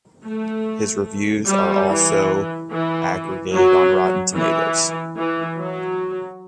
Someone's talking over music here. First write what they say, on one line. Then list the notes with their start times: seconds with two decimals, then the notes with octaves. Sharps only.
His reviews are also aggregated on Rotten Tomatoes.
0.24 A3
1.47 G3
1.88 E3
2.71 E3
3.53 F#3
4.34 E3
5.16 E3
5.57 F#3